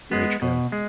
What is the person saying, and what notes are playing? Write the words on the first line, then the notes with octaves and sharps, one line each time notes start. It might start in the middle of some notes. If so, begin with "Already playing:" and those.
very true.
G#3 B3
B2
G#3